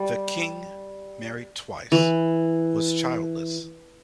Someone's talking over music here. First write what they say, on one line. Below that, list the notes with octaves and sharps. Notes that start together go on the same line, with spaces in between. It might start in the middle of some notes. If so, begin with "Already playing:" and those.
The King, married twice, was childless.
Already playing: G3
E3